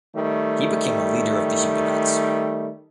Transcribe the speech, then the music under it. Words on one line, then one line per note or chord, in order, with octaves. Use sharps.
He became a leader of the Huguenots.
D#3 G3 A3